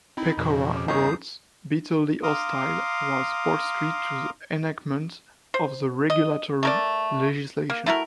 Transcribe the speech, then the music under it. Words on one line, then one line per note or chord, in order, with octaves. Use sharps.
Pecora wrote: Bitterly hostile was Wall Street to the enactment of the regulatory legislation.
C4 D#4 E4 B5
F2 B2 F3
C#3 D6
E2 G2 D#4 A#4 C#5 D#6 G6 C7
F5 A#5 C6 D6 D#6
C5
D#5
A3 A#4 D5
A#3
A3 E4 F#4 A#4